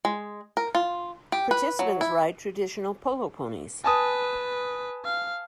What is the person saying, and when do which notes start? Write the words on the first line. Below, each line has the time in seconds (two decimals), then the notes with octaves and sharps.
Participants ride traditional polo ponies.
0.05 G#3
0.57 A#4
0.75 F4
1.32 G4
1.51 B4
1.79 F#3
2.01 E4
3.84 B4 G#5 A5 D#6
5.04 F5